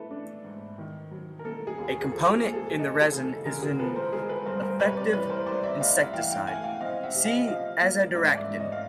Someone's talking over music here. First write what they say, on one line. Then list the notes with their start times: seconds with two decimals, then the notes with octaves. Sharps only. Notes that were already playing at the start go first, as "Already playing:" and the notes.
A component in the resin is an effective insecticide; see azadirachtin.
Already playing: E3 A3 A4 B4
0.11 D4
0.44 G#2
0.78 D#3
1.11 F#3
1.39 A#4
1.45 A#3 A4
1.67 G#4
1.78 D#2
1.89 G#4
2.02 G#4
2.12 F3 A4
2.34 G#4
2.45 A#3
2.52 A4
2.56 G#4
2.70 G#4
2.79 D#4 A4
2.95 A4
3.01 G#4
3.12 C#3
3.23 A4
3.45 D3 G#4 A#4
3.62 G#4 A#4
3.79 F3 A4 B4
3.96 A#4 C5
4.12 G#3 G#4 A#4
4.29 A4 B4
4.46 G2 A#4 C5
4.63 A#4 C5
4.79 C3 B4 C#5
4.97 C5 D5
5.13 E3 B4 C#5
5.30 A#4 C5
5.46 C2 C5 D5
5.63 D5 E5
5.81 C2 D#5 F5
5.97 E5 F#5
6.14 E3 F5 G5
6.31 F5 G5
6.47 A3 F#5 G#5
6.64 F5 G5
6.81 C4 D#5 F5
7.03 E5 F#5
7.14 C3
7.25 D#5 F5
7.47 F3 D#5 F5
7.81 A#3
8.15 G#2 D5 E5
8.37 D5 E5
8.48 G#2
8.60 C#5 D#5
8.72 F5